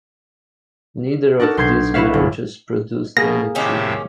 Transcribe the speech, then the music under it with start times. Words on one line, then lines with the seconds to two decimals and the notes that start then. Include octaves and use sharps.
Neither of these marriages produced any children.
1.40 D4 D#4 F#4 A4 A#4
1.57 B1 C6 G6 G#6 C7
1.94 E4 F#4 B4 C#5 E5 F5
2.14 G1
3.17 B2 A#3 G#4 A#6
3.55 A2 C3 D#3 C#4 G4 E5